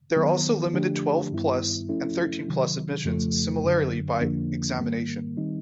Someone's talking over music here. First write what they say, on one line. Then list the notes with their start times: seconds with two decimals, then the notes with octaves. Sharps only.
There are also limited twelve plus and thirteen plus admissions, similarly by examination.
0.17 D#3 F#3 B3
0.73 D3 F3 A3 D4 G4
1.32 G2 D#3 G3 B3 E4
1.89 F3 A3 C#4 E4 A4
2.48 C3 D#3 F#3
3.05 F2 C#3 F3 A3
3.63 F#2 D3 F#3
4.21 F2 D3 F3 A#3 D4
4.79 G#2 D#3 G3 A#3
5.37 D#3 G3 C4 D#4